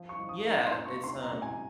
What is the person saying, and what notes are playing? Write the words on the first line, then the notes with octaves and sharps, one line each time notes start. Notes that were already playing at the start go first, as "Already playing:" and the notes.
Yeah, it's, um
Already playing: F3
C#6
F3
D#6
D#4 A#5
C6
A#3
C#6
C3 C6
A#5
C3
G#5